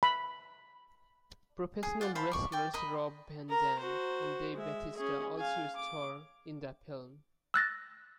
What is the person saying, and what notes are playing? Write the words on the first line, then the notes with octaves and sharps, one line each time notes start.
Professional wrestlers Rob Van Dam and Dave Batista also star in that film.
B5
G#4
F4 D5 F#5
C5 F5 A5 B5
D5 C#6
D5 G5
A#4 D#5 B5
A#4 A#5
F#4 C5
G#3 E5
C#4 G#4
F5 G#5
D6
E6 F#6 A6 A#6